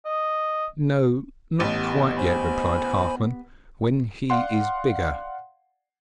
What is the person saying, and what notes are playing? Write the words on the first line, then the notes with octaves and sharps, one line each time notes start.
'No, not quite yet,' replied Halfman; 'when he is bigger.'
D#5
A1 B3 G4 D#5
C5 G#5 B5
D5 F5 F#5 C6